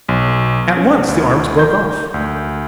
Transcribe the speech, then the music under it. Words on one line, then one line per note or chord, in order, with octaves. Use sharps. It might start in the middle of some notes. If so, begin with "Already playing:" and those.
At once the arms broke off.
B1
C#4
D2
G6
D2